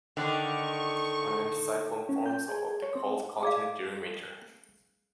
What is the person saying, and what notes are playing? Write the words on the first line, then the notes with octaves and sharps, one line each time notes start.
An anticyclone forms above the cold continent during winter.
D3 D#3 G4 D5 F#5 C#6
C#4
G6
G#4
C#5
C4
G#4 D5 F5